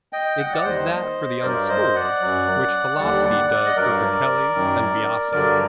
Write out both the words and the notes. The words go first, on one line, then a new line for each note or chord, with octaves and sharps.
It does that for the unschooled, which philosophy does for Berkeley and Viasa.
D#5 G5
F#5
D#5
D5 F#5
D#2 D#3 G3 C5 D#5
G2 F#3 A#4 D5
C5 D#5
D5 F#5
F#2 F#3
D#2 D3 G3 D5 F#5
D5 F#5
D5 F#5
D#5
G2 F#3 A#4 D5
F#2 D#3 F#3
G2 D3 F#3 A#4 D5